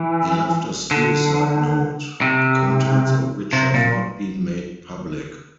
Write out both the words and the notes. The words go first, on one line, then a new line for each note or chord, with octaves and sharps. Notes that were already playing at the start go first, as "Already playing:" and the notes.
He left a suicide note, the contents of which have not been made public.
Already playing: E3
D3
C3
C3
A#2